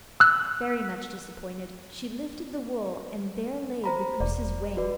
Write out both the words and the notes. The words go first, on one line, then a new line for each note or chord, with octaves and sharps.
Very much disappointed, she lifted the wool, and there lay the goose's wing.
E6 F#6
C5 A#5 B5
E1 D5
F#4 B4 D5